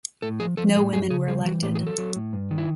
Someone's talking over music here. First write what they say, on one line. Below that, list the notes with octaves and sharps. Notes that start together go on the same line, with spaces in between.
No women were elected.
A2 A4
F3 G#4
F3 A4
A2 G#4
F#2 G#4
C#3 G#4
G3 G#4
E3 F#4
A2 G4
G#4
F#3
A4
F#3
A2
G2
D#3
E4